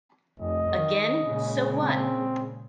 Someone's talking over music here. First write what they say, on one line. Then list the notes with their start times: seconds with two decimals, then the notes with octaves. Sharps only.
Again, so what?
0.40 F1 D#5
0.70 D#3
1.27 A#2 C#3 G#3
1.81 C4